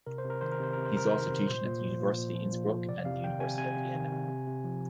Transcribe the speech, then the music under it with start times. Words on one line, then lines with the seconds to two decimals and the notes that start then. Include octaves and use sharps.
He is also teaching at the University Innsbruck and the University of Vienna.
0.07 C3 A#4
0.18 C5
0.25 C3
0.30 A#4
0.41 D#3 C5
0.52 A#4
0.60 C3 C5
0.73 C3 A#4
0.85 C5
0.94 C3 A#4
1.07 C5
1.12 D#3
1.19 A#4
1.30 C3
1.48 A#2 C5
1.65 A#2
1.83 F3
2.00 A#2
2.17 A#2
2.35 F3
2.53 A#2
2.70 F3
2.88 C3 D5
3.05 C3 F5
3.24 D#3 G5
3.40 C3 G#5
3.58 C3 G#5
3.77 C3
3.94 D#3
4.12 C3
4.28 C3
4.47 C3
4.64 F3